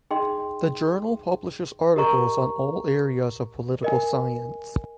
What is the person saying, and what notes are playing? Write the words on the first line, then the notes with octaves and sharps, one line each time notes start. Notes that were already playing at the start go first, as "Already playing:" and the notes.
The journal publishes articles on all areas of political science.
D#4 G#4 D#5 G5 C6
G4 A#4 D#5 A#5 C#6
A#4 D#5 G#5